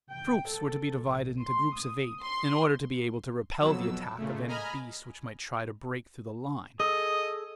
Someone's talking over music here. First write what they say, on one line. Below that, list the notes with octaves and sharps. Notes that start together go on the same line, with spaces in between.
The troops were to be divided into groups of eight, in order to be able to repel the attacks of any beasts which might try to break through the line.
G5
A4
A#1
C6
D#6
C6
F2 B2 F#3 E6
A#2 C#3 A3
D#5 G#5 A#5 B5 F6
G#4 A4 D#5 D#6